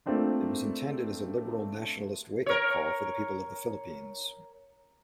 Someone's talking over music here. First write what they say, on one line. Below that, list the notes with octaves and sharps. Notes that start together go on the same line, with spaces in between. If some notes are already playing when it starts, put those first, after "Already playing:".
It was intended as a liberal-nationalist wake-up call for the people of the Philippines.
A3 A#3 C4 D4 F4
A#4 C#5